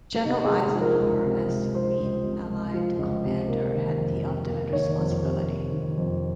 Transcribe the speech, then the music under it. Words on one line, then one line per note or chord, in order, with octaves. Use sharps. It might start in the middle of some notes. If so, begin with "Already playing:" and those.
General Eisenhower, as Supreme Allied Commander, had the ultimate responsibility.
C3 D#4
G#4
G#3
G#4
F3
A#4
C#2
C3
G#3
F3 C5
C#2
C3
G#3
F3
C#2
C3
A#3
D#3
F2
C3
A#3
D#3 C#5
F2
C3
A#3
D#3
F2